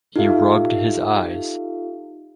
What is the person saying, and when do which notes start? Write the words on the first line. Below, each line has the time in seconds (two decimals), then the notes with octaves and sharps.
He rubbed his eyes.
0.16 D#4 F4 G4 A4 E5 F5